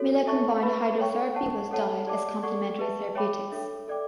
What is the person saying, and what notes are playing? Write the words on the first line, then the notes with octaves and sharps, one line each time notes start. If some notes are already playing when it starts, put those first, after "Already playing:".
Miller combined hydrotherapy with diet as complementary therapeutics.
Already playing: F#4 A4 C#5
A4 E5 A5 C#6
B4 E5 B5
A4 C#5 G5 C#6
C#5 F#5 A5
A4 C#5 F#5 A5
G4 D5 A5 D6
A4 D5 F#5 C#6
B4 E5 A5
C#5 E5 G5 B5 D6
D4 A4 E5
A4 D5 G5 D6